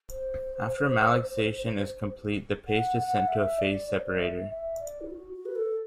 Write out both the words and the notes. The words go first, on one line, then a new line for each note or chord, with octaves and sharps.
After malaxation is complete, the paste is sent to a phase separator.
C5
F#5
F#5
E5
D5
D5
C5
D5
E5
E5
D5
E4
F#4
F#4
B4
A4